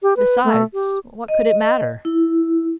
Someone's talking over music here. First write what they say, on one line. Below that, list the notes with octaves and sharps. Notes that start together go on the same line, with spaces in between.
Besides, what could it matter?
G4
B4
A3
G4
D#5
E4